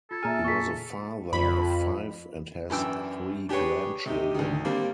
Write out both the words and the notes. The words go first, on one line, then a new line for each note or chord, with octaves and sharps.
He was a father of five and has three grandchildren.
F4 A4 G#6
A#2 G#4 E5 G#5 A#5 F6
C#6 B6
F2 F4 B5
F#2 E3 D4 G5 E6
D4 G4 G#4 B4 C#5
C3 D#4 G4
D2 D#3
G3 A#3 C4 D4